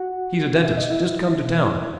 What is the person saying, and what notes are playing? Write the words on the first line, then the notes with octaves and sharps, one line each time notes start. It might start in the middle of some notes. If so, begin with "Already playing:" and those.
He's a dentist, just come to town.
Already playing: F#4 F#5
B2 E5
D#5
E4 E5
B2